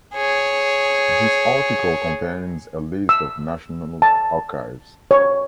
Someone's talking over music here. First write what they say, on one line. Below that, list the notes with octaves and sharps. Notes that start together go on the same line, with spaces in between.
This article contains a list of national archives.
G#4 C#5
E6
A5
C#5